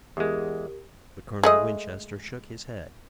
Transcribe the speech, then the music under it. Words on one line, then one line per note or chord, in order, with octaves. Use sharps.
But Colonel Winchester shook his head.
E2 G#3 G4 A#4
G#3 A3 D#5